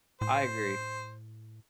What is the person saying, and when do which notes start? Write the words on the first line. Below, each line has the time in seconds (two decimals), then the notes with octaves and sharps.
I agree.
0.21 A2 C5